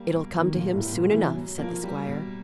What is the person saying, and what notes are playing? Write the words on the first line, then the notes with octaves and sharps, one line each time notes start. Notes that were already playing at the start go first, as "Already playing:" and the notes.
"It'll come to him soon enough," said the squire.
Already playing: G3 A#3
B2
B2 D#3
A#2
A#3
A2
G3
A#2
B2 E3
B2 F#3
F3 A#3
F#3 G3
B2